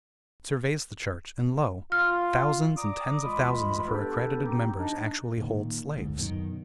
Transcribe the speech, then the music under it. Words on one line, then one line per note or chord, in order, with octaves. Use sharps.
He surveys the church, and, lo! thousands and tens of thousands of her accredited members actually hold slaves.
F4 F6
D5 A#5 D6 D#6
D2 E3 G#3 F4 D#5 B5
B3 D4 G4 A4 B4
B3 C#4 D#4 G4
F3 D4 D#4
A#2 D#3
G#1 D2 G#2
F#2 B2 D3 D#3